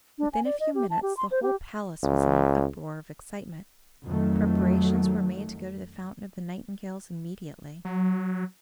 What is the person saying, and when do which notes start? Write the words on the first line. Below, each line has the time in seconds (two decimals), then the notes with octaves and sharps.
Within a few minutes the whole palace was in an uproar of excitement. Preparations were made to go to the fountain of the nightingales immediately.
0.19 D4
0.33 G#5
0.45 D5
0.60 D#5
0.75 G4
0.90 A5
1.02 G4
1.17 C6
1.31 C5
1.43 G4
2.03 C#2
4.06 F2 D#3 F#3 A3
7.85 F#3